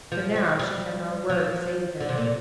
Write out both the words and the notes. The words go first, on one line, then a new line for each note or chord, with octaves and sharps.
But now she had not a word to say to him.
F3
G3
G3
F3
D3
C3
A#2